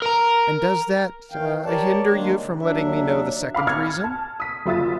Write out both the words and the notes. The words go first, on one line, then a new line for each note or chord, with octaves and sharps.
"And does that hinder you from letting me know the second reason?"
A#4 A#5
D#3 E3 F5 G5
G4 A#4 C#5 D5 A5
D#3 F#3 G#3 A#3 D4
C#3
D#2 F#3 D4 E5
F5 B5 D6 F6
F6 G#6 A6 C#7
A5
D#6 B6
F#1 F4 E5 D#6 A6